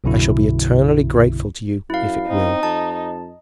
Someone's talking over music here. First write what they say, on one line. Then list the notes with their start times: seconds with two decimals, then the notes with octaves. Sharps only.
I shall be eternally grateful to you if it will.
0.04 B1 F#2 B2 D3 E4
1.90 F#2 E4 F5
2.28 C4 D#4
2.63 F2 A5